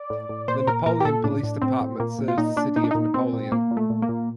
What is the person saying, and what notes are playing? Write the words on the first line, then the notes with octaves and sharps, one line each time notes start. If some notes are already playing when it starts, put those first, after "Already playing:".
The Napoleon Police Department serves the City of Napoleon.
Already playing: D5
A2
A2
A#2 C5
A#2 A#4
A#2 A#4
G4
A#2 A4
A2 D4
A2
A2 C4
A2
A#2 A#3
A#2
F4
A#2 D#4
A#2 D4
A#2 D#4
D4
A#2 D#4
A#2 C4
A#2
A#2 A#3
A#2
A3
A#2
A#3
A#2